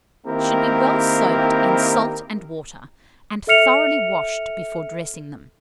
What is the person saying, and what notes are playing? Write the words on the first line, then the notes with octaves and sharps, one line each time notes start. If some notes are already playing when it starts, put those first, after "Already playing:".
Should be well soaked in salt and water, and thoroughly washed before dressing them.
D#3 A#3 C4 E4 G4 A#4
A4 E5 F6 C#7 F7